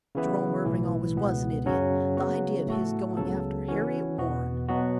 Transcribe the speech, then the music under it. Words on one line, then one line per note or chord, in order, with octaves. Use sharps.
Jerome Irving always was an idiot. The idea of his going after Harriet Warren!
C#3 E3 B3 E4
B1 A2 E3
C#2 B2 B3
F#2 C#3 F#3 C#4 F#4
C#3 F#3 B3 F#4
A2 A3 F#4 A4
C#2 C#3 F#3 B3 A4
E3 C#4 F#4
E2 B2 B3 F#4
B2 F#3 B3 F#4